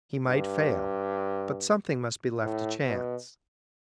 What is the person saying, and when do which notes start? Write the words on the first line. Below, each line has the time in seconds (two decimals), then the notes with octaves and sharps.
He might fail, but something must be left to chance.
0.28 G2
2.43 A2
2.85 B2